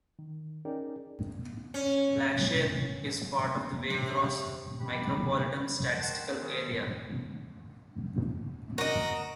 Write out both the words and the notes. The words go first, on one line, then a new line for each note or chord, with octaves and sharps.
Blackshear is part of the Waycross Micropolitan Statistical Area.
D#3
C#4 D#4 G#4 A#4 D5 G5
C#4
C3
G4 B5
C4 A#4 C5 F#5 A5
C3 D#3 G3 G#4
F#4 A#4 D#5